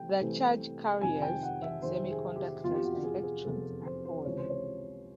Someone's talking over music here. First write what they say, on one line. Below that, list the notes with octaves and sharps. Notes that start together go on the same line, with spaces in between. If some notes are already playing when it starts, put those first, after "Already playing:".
The charge carriers in semiconductors are electrons and holes.
Already playing: C3 A3 G5
C2 C3 E3 A3 C4
F2 C3 D#3 G#5
G5
F#5
E5
F2 C3 D#3 C5
G#4
G4
F1 E2 C3 F4
G4
F#4
G#4
G#4
F1 E2 C3 A4
C5
C5
C#2 C3 E3 C#5
C5
C#5